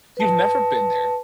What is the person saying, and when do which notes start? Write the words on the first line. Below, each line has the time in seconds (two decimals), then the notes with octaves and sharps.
you've never been there,
0.17 B4 A5